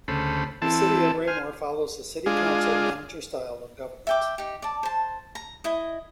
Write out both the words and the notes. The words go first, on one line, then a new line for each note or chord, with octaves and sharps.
The City of Raymore follows a City Council-Manager style of government.
D2 C#3 A4 C5 B5
E3 C4 E4 A4 A5
C5 G#5 F6
G#3 D4 F4 G#4
E5 G5 D6
D#4 G4
D5 A5
C5 A5
A#5
E4 D#5